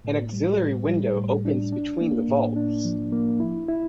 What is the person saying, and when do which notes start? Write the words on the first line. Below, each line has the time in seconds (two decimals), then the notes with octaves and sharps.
An auxiliary window opens between the vaults.
0.05 A2
0.33 G3
0.61 A2
0.89 G3
1.17 A2
1.45 D4
1.72 D4
2.01 A#3
2.28 A2
2.56 D4
2.85 F3
3.13 A#3
3.40 E4
3.68 E4